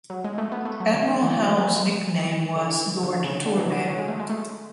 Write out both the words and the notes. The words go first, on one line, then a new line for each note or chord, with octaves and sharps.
Admiral Howe's nickname was "Lord Torbay".
F#3
G#3
A3
B3
A3
F#3
D3
D3
E3
F#3
A3
B3
A3
G#3
E3
D3
E3
D3
C#3
D3
E3
F#3
F#3
F#3
G#3
A3
G#3
A3